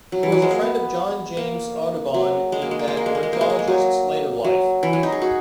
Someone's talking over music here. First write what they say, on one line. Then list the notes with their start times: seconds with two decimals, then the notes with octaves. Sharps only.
He was a friend of John James Audubon in that ornithologist's later life.
0.12 F#3
0.23 E3
0.32 F#3
0.42 G#3
0.51 A#3
0.61 B3
1.37 A#3
2.14 F#3
2.52 G#3
2.62 A#3
2.71 G#3
2.79 A#3
2.88 G#3
2.97 A#3
3.06 G#3
3.15 A#3
3.23 G#3
3.33 A#3
3.41 G#3
3.50 A#3
3.59 G#3
3.68 F#3
4.44 F#3
4.83 E3
4.93 F#3
5.03 D#4
5.12 G#4
5.22 F#4